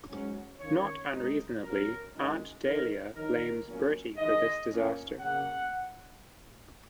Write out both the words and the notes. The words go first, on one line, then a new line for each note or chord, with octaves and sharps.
Not unreasonably, Aunt Dahlia blames Bertie for this disaster.
G#2 F#3 C#4
D#3 A#3 C#4 C#5
F#2 D#3 G#3 D#4
F#2 C#3 F#3 A#4
F#2 D#3 G#3
D#3 A#3 D#4 A#4
D#3 F#3 D#4 A#4
A#2 F#3 C#4
D#3 G#3 D#4 D#5
A#2 A#3 C#4
C#3 F#3 A#3 F#5